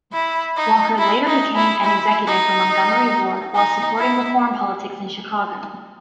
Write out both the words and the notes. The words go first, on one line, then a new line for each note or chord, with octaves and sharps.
Walker later became an executive for Montgomery Ward while supporting reform politics in Chicago.
E4
D#4
E4
D#4
E4
E4
D#4
D#4
E4